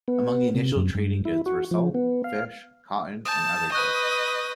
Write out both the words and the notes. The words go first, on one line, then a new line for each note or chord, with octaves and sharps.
Among the initial trading goods were salt, fish, cotton and other goods.
B3
C3
F#2
G2
E4
F#4
F3
B3
F5
A5 D#6 G6
B4 D#5 C#6 F#6